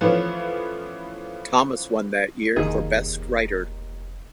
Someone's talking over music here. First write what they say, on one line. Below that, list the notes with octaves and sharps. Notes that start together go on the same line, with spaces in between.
Thomas won that year for Best Writer.
E3 F3 A3 B3 C#4 F4
F1 D#2 D#3 G#4